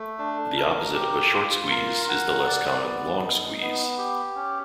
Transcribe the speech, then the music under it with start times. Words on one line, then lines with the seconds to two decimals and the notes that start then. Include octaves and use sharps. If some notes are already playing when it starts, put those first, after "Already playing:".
The opposite of a short squeeze is the less common long squeeze.
Already playing: A3
0.19 D4
0.57 A#4
0.95 G4
1.33 F4
1.71 A#4
2.08 F#5
2.47 D5
2.84 B3
3.22 D#4
3.61 B3
3.98 G4
4.36 C#4